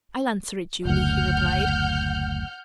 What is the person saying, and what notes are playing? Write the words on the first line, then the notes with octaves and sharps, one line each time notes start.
"I'll answer it, Julie," he replied.
F#1 D2 F#5 F6 G6